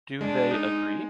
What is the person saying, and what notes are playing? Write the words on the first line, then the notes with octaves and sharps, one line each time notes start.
Do they agree?
G#3 D4
D#4